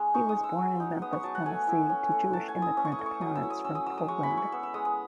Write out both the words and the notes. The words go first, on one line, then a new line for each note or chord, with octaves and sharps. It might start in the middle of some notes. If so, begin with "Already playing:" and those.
He was born in Memphis, Tennessee, to Jewish immigrant parents from Poland.
Already playing: G#3 C#4 B5
D#4 C#6
D#6
G#3
E6
F#3
D#4
B3 D#6
C#6
F#3 A5
F#5
A3 G#5
E4
C#4
A3
A3 A5
G#5
E4
D#6
C#4 D#6
C#6
D#6
A3
C#6
F#3 D#6
E6
E4
D#6
C#4 E6
D#6
F#3 E6
D#6
G#3 C#6
B5
E4
C#6
B3 E6
E6
G#3 D#6
D#6